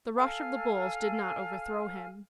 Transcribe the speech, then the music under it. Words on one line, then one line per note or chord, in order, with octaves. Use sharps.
The rush of the bulls did not overthrow him.
A4 F5 G#5 F6